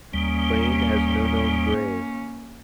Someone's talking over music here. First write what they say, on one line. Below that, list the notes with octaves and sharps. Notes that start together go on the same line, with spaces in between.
Wain has no known grave.
D#2 G3 A#3 C#4